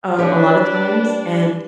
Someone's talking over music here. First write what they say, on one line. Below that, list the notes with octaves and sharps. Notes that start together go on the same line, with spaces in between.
um, a lotta times. And
D4 G4 B4 C#5 D#5
G3